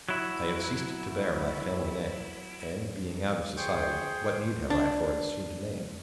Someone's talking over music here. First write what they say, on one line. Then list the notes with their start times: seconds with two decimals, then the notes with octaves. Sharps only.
I have ceased to bear my family name; and, being out of society, what need have I for an assumed name?
0.09 F#3 E4
3.57 G#4 C5 G5 C#6
4.70 D4